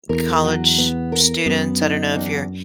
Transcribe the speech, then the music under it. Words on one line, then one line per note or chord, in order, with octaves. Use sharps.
college students I don't know if you're,
E2 A#4
F#3
B3
A#4
F#2 B3
D#4
E2